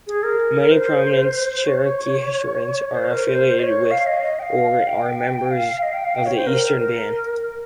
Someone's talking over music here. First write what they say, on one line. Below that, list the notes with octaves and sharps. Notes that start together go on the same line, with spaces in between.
Many prominent Cherokee historians are affiliated with, or are members of the Eastern Band.
G#4
A#4
C5
C#5
C5
A#4
C5
D#5
C#5
F5
D#5
D#5
G5
F5
G5
F5
D#5
G5
F5
G5
C#5
C5
A#4
A#4